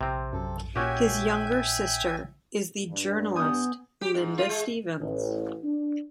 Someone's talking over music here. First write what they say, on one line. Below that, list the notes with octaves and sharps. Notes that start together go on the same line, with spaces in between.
His younger sister is the journalist Linda Stevens.
A#1 C3 C4
F#2 A4
A#2 C#4 F#4 G4 E5 G5 G#5
G2
B3 G#5 D#6 G6
G4
G#2
F4
G#3
A1
D4